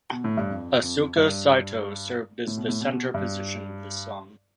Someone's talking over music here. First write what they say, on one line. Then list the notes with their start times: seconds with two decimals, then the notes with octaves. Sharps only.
Asuka Saito served as the center position of this song.
0.12 B2
0.24 A2
0.37 G2
0.50 F2
0.83 F2
1.16 G2
2.47 A2
2.57 B2
2.69 A2
2.81 B2
3.14 G2